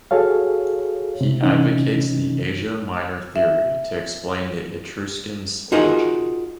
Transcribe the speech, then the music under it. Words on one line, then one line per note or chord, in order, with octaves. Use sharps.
He advocates the Asia Minor theory to explain the Etruscans' origin.
F#4 G#4 A4 C#5 F5
C3
C3 E3 C#4 D#4
E5
D#4 F4 F#4 G#4 A#4 D#5